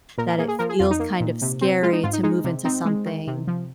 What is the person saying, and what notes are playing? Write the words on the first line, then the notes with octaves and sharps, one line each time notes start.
that it feels kind of scary to move into something
A#2 A#4
A#4
A#3 G#4
G#4
F3 A#4
G#4
F2 F4
D#4
A#3
A#2
C3
C4
G#3 F4
D#4
G#2 F4
D#4
G#3 D#4
C3
C4 D#4
G#3
D#3
C3
F3